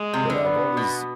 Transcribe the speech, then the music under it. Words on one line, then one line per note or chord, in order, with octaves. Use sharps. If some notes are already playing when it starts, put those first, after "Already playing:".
but I've always
Already playing: G#3
C3
D3
B3
B2